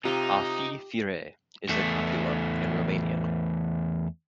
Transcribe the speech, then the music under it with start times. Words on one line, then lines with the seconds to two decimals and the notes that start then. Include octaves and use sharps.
"A fi, fire" is the copula in Romanian.
0.05 C3 D#4 F4 G4
1.69 E2 A3